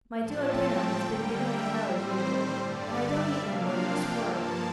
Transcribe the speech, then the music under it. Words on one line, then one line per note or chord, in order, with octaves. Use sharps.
'My duo-denum has been giving me hell as usual, and I don't eat no more than a squirrel.
A2 F3 A3 C4 A5
G5
D3 G3 A#3
E5
A2 G3 C4 C5
G2 D3 G3 D5
E5
C3 F3 A#3 D4 F5
G5
G2 F3 A#3 A5